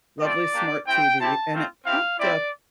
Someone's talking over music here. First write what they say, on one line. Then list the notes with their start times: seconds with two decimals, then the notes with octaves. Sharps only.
lovely smart TV and it popped up
0.19 A3 C4 F4 D5
0.54 A#3 D4 G4
0.87 C4 E4 G4 G5
1.20 C4 E4 G4 A5
1.52 A3 C4 F4
1.85 C4 E4 G4 F5
2.18 G3 C4 E4 D5